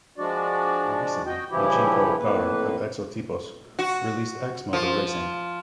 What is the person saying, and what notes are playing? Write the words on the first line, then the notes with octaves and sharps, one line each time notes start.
More recently, Eugene Cojocar of Exotypos released X Motor Racing.
F3 G#3 D4 F#4 D5
F#4 D#5 G5
G2 C#3 E3 F3 E4 G4
F2 A2 A#3 B4
F#4
F3